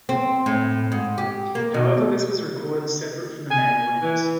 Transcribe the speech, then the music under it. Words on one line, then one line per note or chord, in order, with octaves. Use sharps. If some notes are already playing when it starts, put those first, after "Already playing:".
However, this was recorded separate from the main audience.
C4
A2
G#2
G4
A#3
B2
G#5
E3